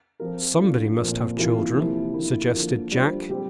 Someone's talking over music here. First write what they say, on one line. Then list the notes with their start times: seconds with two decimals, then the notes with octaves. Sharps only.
"Somebody must have children," suggested Jack.
0.20 F3 C4 F4 A#4
0.58 A3 D4 F4 A4
0.97 A#2 F3 C4 F4 A#4
1.37 C3 E3 A#3 F4
1.75 C3 F3 A#3 E4 G4
2.13 D3 F3 A#3 E4
2.52 D3 F3 A#3 F4
2.92 G3 D4 F4 C5
3.29 G3 C4 G4 C5